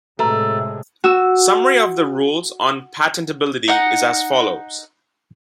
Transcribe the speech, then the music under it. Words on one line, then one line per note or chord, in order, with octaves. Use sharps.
Summary of the rules on patentability is as follows.
A2 C3 G#3 A3 F#4 B4 A#5
F#4 E6
D#4 F#5